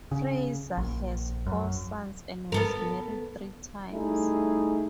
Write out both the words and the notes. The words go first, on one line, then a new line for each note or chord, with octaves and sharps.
Frazier has four sons and was married three times.
C#3
A#1
F#2
B3 A4 A#4
G3 A3 D#4 E4 G#4